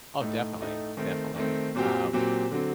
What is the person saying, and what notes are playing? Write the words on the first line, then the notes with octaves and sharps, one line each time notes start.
Oh, definitely, definitely. Y um,
A2 A3 D#4
A2 A3 D#4
D#3 A3 C4
D#3 A3 C4
A#2 F#3 C4 G4
A#2 F#3 C4 G4
D3 F#3 C4